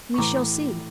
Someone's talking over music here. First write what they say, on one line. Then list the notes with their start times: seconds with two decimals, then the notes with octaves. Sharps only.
"We shall see."
0.14 C#6
0.17 A2 E3 A#5 D6